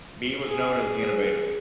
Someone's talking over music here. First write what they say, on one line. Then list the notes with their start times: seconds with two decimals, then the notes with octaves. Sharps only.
Bee was known as the "Innovator".
0.48 G#4